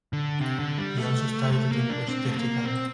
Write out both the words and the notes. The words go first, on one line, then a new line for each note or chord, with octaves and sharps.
He also studied at University of Chicago.
D3
C3
D3
G3
A3
A3
A#3
D4
C4
A3
A#3
C4